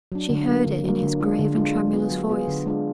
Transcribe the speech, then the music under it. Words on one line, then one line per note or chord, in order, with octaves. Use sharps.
She heard it in his grave and tremulous voice.
F#3 D4
D3
F#3 A#3
D3
F#3 A#3
D3
G#3 D4 F4
D3
G#3 D4 F4
F#3
B3 F4 G#4
F#3
B3 F4 G#4
D3
G#3 D4 F4